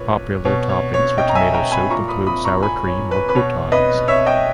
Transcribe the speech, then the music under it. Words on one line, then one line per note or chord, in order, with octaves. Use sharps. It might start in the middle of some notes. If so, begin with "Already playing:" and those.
Popular toppings for tomato soup include sour cream or croutons.
Already playing: A#2 B4 C#5
B2 C#5
C#5
C#5
D#5 G5
A#5
E5 G#5
G5 A#5
G#5 B5
A#2 A#5 C#6
B5 D#6
B5 D#6
A#5 C#6
G#5 B5
C#5
B4
B4
B2 C#5
B4 D#5
C#5 E5
D#5 G5